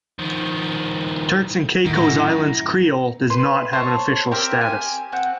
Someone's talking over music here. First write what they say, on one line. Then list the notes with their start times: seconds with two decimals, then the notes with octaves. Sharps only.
Turks and Caicos Islands Creole does not have an official status.
0.19 D#3 F3
1.86 F#2 A2 D#3 E4 A#5
3.30 B4 C6
3.73 C5 C#5 A5
4.31 C4 G4 A#4 E5
4.61 G#5
5.12 C4 F#5